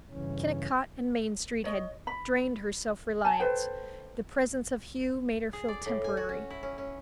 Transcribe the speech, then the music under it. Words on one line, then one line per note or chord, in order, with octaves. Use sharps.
Kennicott and Main Street had drained her self-reliance; the presence of Hugh made her feel temporary.
G2 C#3 E3 C#4
C#5 D#5
B5
G#5 A5
A4 B4 C5 G5
G#4
D5
A2
G#5
F#4
C#4
E4
C#4
C#4